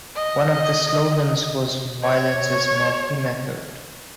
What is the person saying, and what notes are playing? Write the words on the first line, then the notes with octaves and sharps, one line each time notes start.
One of the slogans was "Violence is not the method".
D#5
C#5